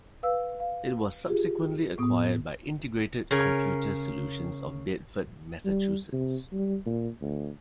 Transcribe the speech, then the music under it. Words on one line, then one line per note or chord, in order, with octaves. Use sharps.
It was subsequently acquired by Integrated Computer Solutions of Bedford, Massachusetts.
B4 F5 E6
F5
F4 G4 G#4
A2 B3 D#6
C#3 A#4 G#5
G3
C3
G3
A#2
D2